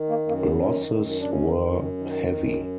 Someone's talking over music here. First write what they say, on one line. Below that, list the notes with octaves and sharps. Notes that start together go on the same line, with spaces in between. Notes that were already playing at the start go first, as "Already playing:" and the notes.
Losses were heavy.
Already playing: D#3
A#3
F#2 A#3
B3
D#3 C#4
F#2
D4
D#3 C#4
F#2
D#3
F#2